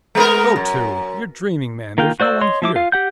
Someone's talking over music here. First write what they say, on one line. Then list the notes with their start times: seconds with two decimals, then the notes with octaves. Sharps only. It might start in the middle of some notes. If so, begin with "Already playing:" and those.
'Go to!--you're dreaming, man!--there's no one here.'
0.15 G#3 B3 A#4
0.56 F#2
1.98 D#3 A#3 F4 G5
2.20 F#4 C5 D5 E6
2.41 C#5 D#5 C6
2.62 F3 E4 D6
2.76 F4 F5
2.92 G4 F#5 G6